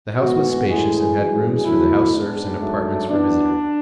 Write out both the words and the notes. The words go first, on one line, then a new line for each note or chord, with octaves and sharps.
The house was spacious and had rooms for the house serfs and apartments for visitors.
A2 E3 G#3 B3 F#4
A2 E3 G#3 G#4
F#2 E3 G#3
E2 D3 F#3 A3 E4
G#2 G#3 B3 D4
G#2 F#3 A3
F#2 E3 B3 D4